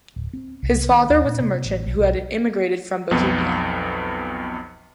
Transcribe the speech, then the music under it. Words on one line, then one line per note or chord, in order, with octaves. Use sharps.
His father was a merchant who had emigrated from Bohemia.
D1
C4
C2
D#3
D#2
A#2
C3
A1
B1
B1
B1 F2 B3